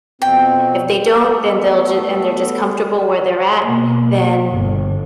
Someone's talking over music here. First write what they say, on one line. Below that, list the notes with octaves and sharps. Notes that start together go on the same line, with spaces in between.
If they don't, then they'll ju and they're just comfortable where they're at, then,
F2 B2 C4 G5
A3 B3 A4
B2 A#3
G1